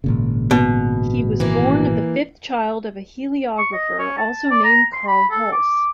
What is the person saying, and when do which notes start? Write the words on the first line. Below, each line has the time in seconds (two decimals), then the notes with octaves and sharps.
He was born the fifth child of a heliographer also named Karl Holz.
0.04 G#1 A#2 C#3
0.51 B2
1.40 E3 A#3
3.58 C#6
3.73 D#5
3.99 C#4
4.17 A5
4.51 D5
4.64 A#5
4.93 C6
5.08 B5
5.31 A4
5.52 D6